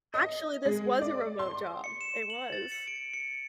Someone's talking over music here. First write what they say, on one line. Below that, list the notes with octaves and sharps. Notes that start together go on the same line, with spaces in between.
Actually, this was a remote job. It was.
D#5
G#3
D5
C6
C#7
E7
F#7
A6
C#7
D7
C#7